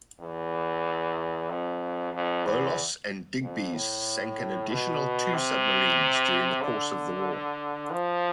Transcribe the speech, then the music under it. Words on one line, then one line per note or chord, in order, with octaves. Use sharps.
Bolos and Digbys sank an additional two submarines during the course of the war.
E2
F2
F2
E2
F2
A2
B2
C3
D3
F3